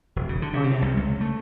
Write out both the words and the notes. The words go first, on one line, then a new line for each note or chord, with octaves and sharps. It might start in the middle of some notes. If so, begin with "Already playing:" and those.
Oh yeah.
E1
C#3
D3
C3
C2
C#2
A3